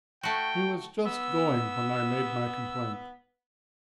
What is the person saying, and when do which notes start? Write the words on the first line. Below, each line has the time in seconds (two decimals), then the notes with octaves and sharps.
He was just going when I made my complaint.
0.23 A3 F#4 G5
1.05 B3 E6